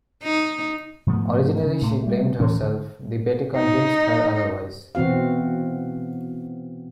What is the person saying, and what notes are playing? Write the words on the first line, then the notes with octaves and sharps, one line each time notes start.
Originally, she blamed herself, but Betty convinced her otherwise.
D#4
G#2 F3 A3 B3
C#3
A2 A3
G3 A3
D2 A2 E3 C#4
D3
D#4
B2 E3 C4 F#4 F5